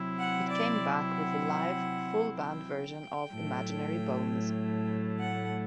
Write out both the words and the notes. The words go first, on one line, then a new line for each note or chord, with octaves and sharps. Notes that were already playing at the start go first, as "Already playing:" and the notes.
It cames backed with a live full-band version of 'Imaginary Bones'.
Already playing: C3 F#3 C4 E4
F#5
D5
F#5
G5
A2 F#3 A3
F#5